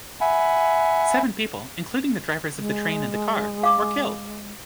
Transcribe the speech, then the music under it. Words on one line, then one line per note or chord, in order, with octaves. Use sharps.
Seven people, including the drivers of the train and the car, were killed.
E5 F#5 G#5 B5
G#3
F5 D6